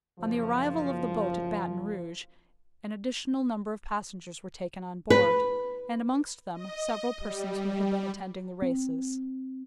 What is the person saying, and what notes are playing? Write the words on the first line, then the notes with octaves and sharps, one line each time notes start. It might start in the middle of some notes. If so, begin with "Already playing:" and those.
On the arrival of the boat at Baton Rouge, an additional number of passengers were taken on board; and, amongst them, several persons who had been attending the races.
F#1 F3
B4
D#5
G3
C4